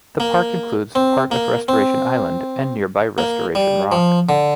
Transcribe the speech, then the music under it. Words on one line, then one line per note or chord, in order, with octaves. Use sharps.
The park includes part of Restoration Island and nearby Restoration Rock.
A#3
C4
A#3
C4
A#3
G3
F3
D3